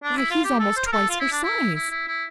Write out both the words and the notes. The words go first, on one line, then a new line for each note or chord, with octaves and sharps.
"Why, he's almost twice her size."
D4
E4
F4
G4
A4
C5
A#4
A4
F4
E4
D4
E4
E4
E4
E4